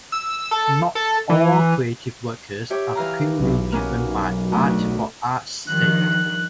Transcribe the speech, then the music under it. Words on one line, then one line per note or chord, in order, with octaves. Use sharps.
Not all creative workers are purely driven by 'art for art's sake'.
E6
A4
A4
E3
G4 C#5 E5
E3 F5 A#5
B1
A#3 B3 C#4
D2
G2 D#3 F3 F#6